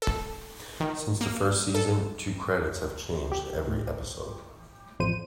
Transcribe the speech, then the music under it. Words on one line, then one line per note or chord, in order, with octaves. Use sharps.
Since the first season, two credits have changed every episode.
A4
D#3
A#3
A4
G4
A2
A1 F2 C5 D#7